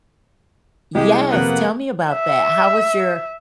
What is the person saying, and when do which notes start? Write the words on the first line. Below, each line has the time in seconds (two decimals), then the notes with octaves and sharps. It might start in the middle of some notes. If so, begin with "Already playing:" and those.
Yes, tell me about that, how was your
0.95 C2 G#3 G4
1.32 F2 C3 A#3 B3 F#5 F#6
2.12 E5